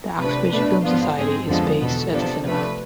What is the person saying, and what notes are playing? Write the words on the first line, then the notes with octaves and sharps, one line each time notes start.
The "Axbridge Film Society" is based at the cinema.
C3 F3 A3 D4 B4
B2 A3 D4 B4
G#2 F3 B3 D4 F4
G#2 G#3 C4 G#4
F2 D3 F3 G#3 B3 A4
E2 B2 B3 A4
C3 F3 B3 D4 A4
C3 F3 A3 D4 B4